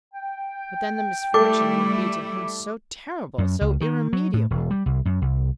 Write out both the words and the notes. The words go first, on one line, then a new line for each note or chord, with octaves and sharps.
But then the misfortune would be to him so terrible,--so irremediable!
G5
G3 A3 E4 A4 D6
F#2
C#2
D#3
F#3
A2
E1
G3
C2
F#2
C2